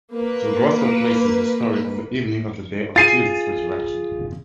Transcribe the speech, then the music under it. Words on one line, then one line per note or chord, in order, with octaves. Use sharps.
The gospel places the story on the evening of the day of Jesus' resurrection.
A#3 B4
F4 G#4 A6 C7 D#7